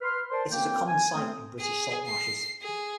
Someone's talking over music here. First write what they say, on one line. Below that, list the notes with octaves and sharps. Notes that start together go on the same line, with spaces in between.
It is a common sight in British salt marshes.
B4 C6 F6
A#4 C5 D5 A5 C6
F#2 A#3 C4 G5
G#5
A3 C4 D#6
G#4
C7
G#4